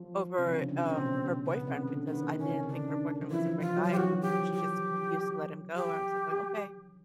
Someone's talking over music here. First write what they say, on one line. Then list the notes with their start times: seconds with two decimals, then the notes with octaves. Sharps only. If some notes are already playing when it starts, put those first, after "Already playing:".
over, um, her boyfriend because I didn't think her boyfriend was a great guy, and she just refused to let him go. I was like going, "Okay"
Already playing: F3
0.38 C3
0.47 D3
0.53 C#3
0.69 C3
0.84 C#3 C#4
0.90 C4
0.97 B2
1.05 C3
1.26 B2
1.46 C#3 B3
1.67 C3
1.88 D3
2.07 D#3 B3
2.28 D#3
2.38 C#4
2.49 C3
2.63 C#3
2.68 D3 D4
3.21 F3
3.30 E3 E4
3.45 F3
3.60 F3 F4
3.77 F#3
3.83 F4
3.92 E3 G4
3.97 F#4
4.22 G4
4.53 G4
5.76 G4